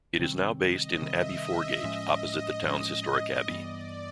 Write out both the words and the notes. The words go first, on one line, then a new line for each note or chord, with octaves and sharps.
It is now based in Abbey Foregate, opposite the town's historic Abbey.
C3 D#3 G3 C4
D#5
C3 D#3 G3 C4 E5
D#5
A2 F3 G#3 C#4
A2 F3 G#3 C#4
G2 E3 G3 B3 D5